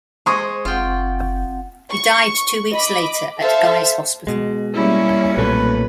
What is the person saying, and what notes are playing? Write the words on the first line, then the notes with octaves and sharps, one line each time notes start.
He died two weeks later at Guy's Hospital.
G#3 G#4 C5 D#5 C6 C#6
F#1 C4 F4 F#5 G5
C#6
D#5 B5 D6
A4 C5 E5 F5 A5
B2 G#3
G3 A#3 C#4 E4
B1 A#2 A3 B4